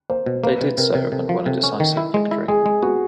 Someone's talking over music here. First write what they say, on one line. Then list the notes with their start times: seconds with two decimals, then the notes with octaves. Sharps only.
They did so and won a decisive victory.
0.10 A#3 C5
0.26 B2
0.43 A#3 B4
0.61 C3
0.78 C3 A#4
0.95 C3
1.01 A#4
1.12 C3 A4
1.29 F3
1.45 C3 A4
1.64 C#4
1.80 D#3
1.97 E4
2.14 G#3
2.31 E4
2.48 G#3 G#4
2.66 G#3
2.82 B3 F#4